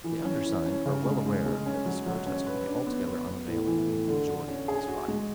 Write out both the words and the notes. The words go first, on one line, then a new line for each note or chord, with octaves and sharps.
The undersigned are well aware that this protest will be altogether unavailing with the majority of this body.
E3
C#4
E3
C#4
C#3
G#3
G#3
G#3
C#4
F#3
F#3
C#4
B4
D4
B3
B3
B3
A2
E3
A2
D3
D3
C#4
G#4
F#4
G#3